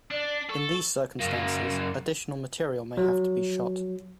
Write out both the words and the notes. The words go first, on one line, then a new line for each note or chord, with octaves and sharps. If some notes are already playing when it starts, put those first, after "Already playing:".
In these circumstances, additional material may have to be shot.
D4 D5
A4 C#6
F#2 A#3
F#3